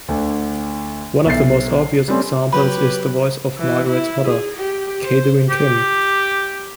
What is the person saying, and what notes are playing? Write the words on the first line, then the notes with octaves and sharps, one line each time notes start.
One of the most obvious examples is the voice of Margaret's mother, Katherine Kim.
D2 D3
B1 E5 A6 C7
G3 A3 C4 C#4
F#3 B3 G4 B4 B5
E3
E4
G#4
G4
C5
G4